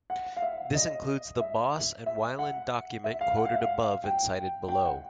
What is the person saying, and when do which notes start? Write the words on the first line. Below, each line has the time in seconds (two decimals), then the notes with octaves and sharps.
This includes the Boss and Wilen document quoted above and cited below.
0.10 F#5
0.37 F5
0.42 E5
0.75 D#5
1.40 E5
2.06 E5
2.39 F#5
3.04 E5
3.21 F5
3.37 F#5
3.45 F5
3.54 E5
3.61 F5
4.04 G5
4.69 G5
4.86 F#5